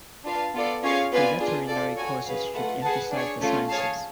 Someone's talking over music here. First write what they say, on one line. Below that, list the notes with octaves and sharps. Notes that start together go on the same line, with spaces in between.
Preveterinary courses should emphasize the sciences.
D4 F4 B4 F5 A5
B3 F4 A4 D5
C#4 F4 G#4 C#5 F5
B3 F4 B4 D5 G#5
D4 F4 G#4
F4 A4 D5
F#4 A4 C#5 G#5
C#4 G#4 B4 F5
A3 F4 B4 F#5
G#4 B4 F#5 A5
D4 G#4 C#5
A3 C#4 F4
G#4 C#5 F5 A5